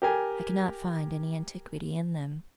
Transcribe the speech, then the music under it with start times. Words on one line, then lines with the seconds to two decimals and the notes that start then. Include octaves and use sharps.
I cannot find any antiquity in them.
0.02 G4 A#4 G#5